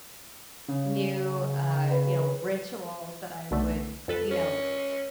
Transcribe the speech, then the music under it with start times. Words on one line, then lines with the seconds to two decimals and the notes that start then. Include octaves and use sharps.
new, uh, you know, rituals that I would, you know,
0.68 C#3
1.91 B4
3.51 B1 D3 A3
4.08 F2 A4 B4
4.31 C#4